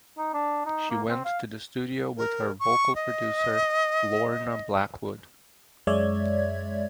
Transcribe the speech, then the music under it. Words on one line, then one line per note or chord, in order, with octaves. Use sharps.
She went to the studio with her vocal producer Lorna Blackwood.
D#4
D4
D#4
A#3
C4
F5
A#4
C#6
D#5
F#2 G#3 C#5 D5 E5 G#6